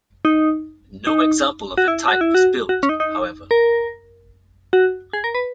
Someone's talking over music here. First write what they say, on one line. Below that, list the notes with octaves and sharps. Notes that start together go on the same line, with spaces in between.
No example of the type was built, however.
D#4
D#4
F#4
E4
F#4
E4
F#4
F#4
C#4
D#4
D#4
A#4
F#4
G#4
A#4
B4